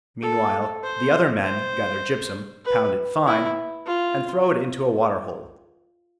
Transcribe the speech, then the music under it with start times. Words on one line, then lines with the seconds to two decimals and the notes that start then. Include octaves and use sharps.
Meanwhile the other men gather gypsum, pound it fine, and throw it into a water-hole.
0.22 A4
0.83 C5
1.44 C5
2.65 B4
3.26 E4
3.86 F4